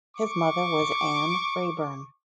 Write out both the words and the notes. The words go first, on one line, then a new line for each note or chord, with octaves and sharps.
His mother was Anne Raeburn.
C#6 D6